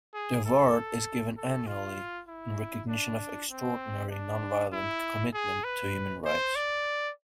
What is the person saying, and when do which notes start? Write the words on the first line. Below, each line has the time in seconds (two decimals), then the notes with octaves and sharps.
The award is given annually in recognition of extraordinary, non-violent commitment to human rights.
0.14 G#4
0.45 A4
1.37 A4
1.67 F4
2.28 E4
2.89 D4
3.50 C4
4.11 D4
4.72 E4
5.33 G#4
5.64 B4
6.25 C5
6.56 D5